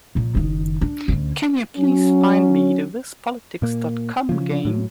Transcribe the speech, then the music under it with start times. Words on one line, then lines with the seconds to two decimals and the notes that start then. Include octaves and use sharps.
Can you please find me the Wispolitics.com game?
0.15 A#2 F3
0.35 F#1 D#3
0.81 D4
1.08 D2 C#4
1.77 F#3 C#4
3.62 A#2 A#3
4.29 C#3 F3
4.65 A2 F#3